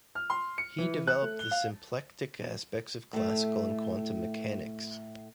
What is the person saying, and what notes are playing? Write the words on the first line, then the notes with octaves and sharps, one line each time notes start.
He developed the symplectic aspects of classical and quantum mechanics.
F6
C6
C#7
E3
F#6
A3
G7
F5
A2 A3